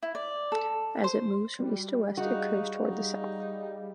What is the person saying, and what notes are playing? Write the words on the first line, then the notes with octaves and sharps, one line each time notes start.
As it moves from east to west, it curves towards the south.
E4
D5
A4
C5
G3 F#4
D#4 F#4 G#4 D#5 F5
D#4